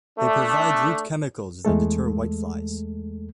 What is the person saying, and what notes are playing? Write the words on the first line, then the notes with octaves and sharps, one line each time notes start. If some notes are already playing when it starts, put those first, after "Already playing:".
They provide root chemicals that deter whiteflies.
A3 D4
E2 G#3 A3 A4